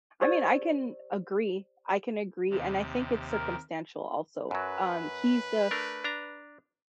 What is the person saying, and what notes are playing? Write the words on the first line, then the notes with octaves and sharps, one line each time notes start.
I mean, I can agree, I can agree, and I think it's circumstantial, also, um, he's the
G4 C5 D5 D#5 E6
D#2 C3
A#4
F#2 F#3 B4
A3 D4 A#4
D4 A#5